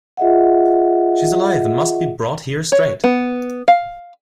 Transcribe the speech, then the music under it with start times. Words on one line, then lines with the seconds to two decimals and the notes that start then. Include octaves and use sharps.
She's alive and must be brought here straight!
0.17 F4 G#4 D#5 E5 F#5
2.72 C#5
3.04 B3
3.68 F5